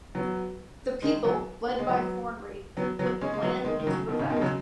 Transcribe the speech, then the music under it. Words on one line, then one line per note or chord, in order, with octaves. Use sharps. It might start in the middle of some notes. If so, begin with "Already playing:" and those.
The people, led by Fornri, put the Plan into effect.
F#3 B3
D#3 G#3
F#3 B3
B3
G#3
F#3 B3
F#3 B3
F#3 B3
G#3 C#4
G#3
F#3 B3
B3
D#3 G#3
D#3
C#3 F#3
B2 D#3
G#2 C#3
B2 D#3
G#3
C#3 F#3